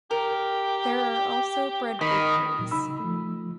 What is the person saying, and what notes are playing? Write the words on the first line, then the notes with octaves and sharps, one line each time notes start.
There are also bread bakeries.
G4 A#4
D#3 B5
A#2 F#3
C#3 D#4 B5 E6
F3 A3